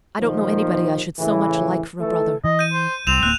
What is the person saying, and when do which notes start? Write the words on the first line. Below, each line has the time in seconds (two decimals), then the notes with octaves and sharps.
I don't know anybody I should so much like for a brother.
0.19 D#2 A#2 D#3 F3
1.19 A2 C#3 E3
2.01 E3 A3 A4
2.44 E3 D#5
2.59 G6 D#7
2.73 C5
3.07 C2 G3 C4 E7 F7
3.23 D1 A#3 F#6